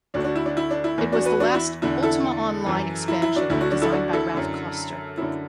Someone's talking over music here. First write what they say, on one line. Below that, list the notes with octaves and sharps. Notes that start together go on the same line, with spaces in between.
It was the last "Ultima Online" expansion designed by Raph Koster.
D2 D4 F#4
D3
D4 F#4
E4
D4
E4
D4
E4
E2 E3
D4 F#4
F#4 B4
D4 F#4
E4
E2 D3 E4
E4 A4
F#2 E3
E4
E4
D4 F#4
D2 D3 E4
D4 F#4
D4 F#4
E4 A4
D4 F#4
E4 A4
F#2 D3
F#2 D3 E4